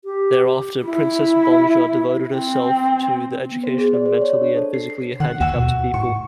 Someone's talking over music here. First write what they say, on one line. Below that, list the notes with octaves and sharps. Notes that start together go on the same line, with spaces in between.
Thereafter, Princess Bangja devoted herself to the education of mentally and physically handicapped people.
G4
E4
C4
B3
C5
G#4
D5
C5
C#5
D4
A4
C7
C7
D#3 F#5
D#2 F#4 G#5 E6
B2
A2 C#6